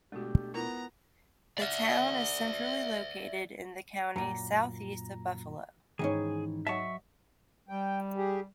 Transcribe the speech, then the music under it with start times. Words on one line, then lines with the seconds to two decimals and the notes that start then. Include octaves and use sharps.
The town is centrally located in the county, southeast of Buffalo.
0.12 B2 G#3 A3 D4 F#4 G4
0.54 B3 E4 F4 A#4 A#5
1.58 D5 E5
4.16 F#2 A#2 A#5
5.99 G#2 D#3 E3 C#4 D#4 G#4
6.67 F#3 D#5 E5 A5 C#6
7.69 G3 G5
8.16 G4 G#4